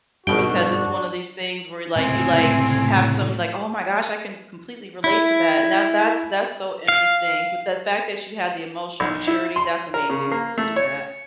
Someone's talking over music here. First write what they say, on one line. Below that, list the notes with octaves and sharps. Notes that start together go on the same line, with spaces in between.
Because it's one of these things where, like, you, like, have some, you're like, "Oh my gosh. I can completely relate to that." And that that's that's so interesting. But the fact that you had the emotional maturity, that's amazing to do that.
G#1 G2 B2 D4 F#4 G5
C#2 A2 C3 C4 G#5
E4
F5
B1
E4
C6
A#4
C#3
A#3
A3
C#5